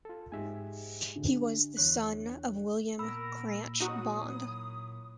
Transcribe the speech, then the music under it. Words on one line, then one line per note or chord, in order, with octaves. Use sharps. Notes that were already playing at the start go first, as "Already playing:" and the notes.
He was the son of William Cranch Bond.
F4 A4
G#2 G4 E5 G#5
D3
E2 C#5 F#6
A#2 B3 A#4 B5 E6
F#3 D#4 E4 F#4 D#6